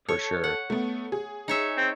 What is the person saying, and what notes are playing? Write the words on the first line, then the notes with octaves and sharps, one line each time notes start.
For sure.
A4 C#5
F#5
A3 B3
G#4
D#4 C#5 E5
C4